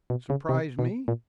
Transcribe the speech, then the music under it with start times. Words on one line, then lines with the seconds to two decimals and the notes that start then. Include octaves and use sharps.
"Surprise me?"
0.10 B2
0.30 C#3
0.49 C3
0.79 B2
1.08 A#2